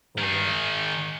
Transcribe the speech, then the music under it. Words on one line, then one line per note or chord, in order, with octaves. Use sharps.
Oh, wow.
D#3 G#4